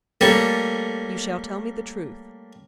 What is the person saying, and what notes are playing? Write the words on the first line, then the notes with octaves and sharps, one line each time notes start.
"You shall tell me the truth."
G3 A3 A#3 C#4 A4